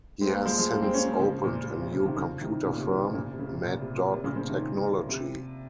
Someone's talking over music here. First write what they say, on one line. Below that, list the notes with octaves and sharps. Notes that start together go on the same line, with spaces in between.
He has since opened a new computer firm, Mad Dog Technology.
G#3 C4
G3 A#3
F3 G#3
F3 G#3
G3 A#3
G#3 C4
A#3 C#4
G#3 C4
C#3 F3
A#2
A#2
C3
C#3
C3 D#3
C#3 F3
C3 D#3
A#2 C#3
C3
C3 D#3
C3
A#2 C#3
C3
C#3
C3
A#2
C3
A#2
C3
A#2 C#3
C#3 F3
C3 D#3
C3